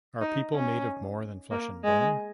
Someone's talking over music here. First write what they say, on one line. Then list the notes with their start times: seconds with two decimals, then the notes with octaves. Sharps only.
Are people made of more than flesh and bone?
0.21 D#4
0.54 C#4
1.51 A#3
1.84 G#3